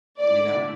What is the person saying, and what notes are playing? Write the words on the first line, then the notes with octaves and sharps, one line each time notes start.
you know?
D3 A3 E4 D5